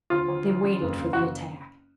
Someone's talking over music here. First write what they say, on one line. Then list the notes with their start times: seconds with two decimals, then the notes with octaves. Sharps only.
They waited for the attack.
0.10 D2 F4
0.28 D2
0.46 E3
0.64 C#3
0.81 F#1
0.99 F#1
1.13 F#4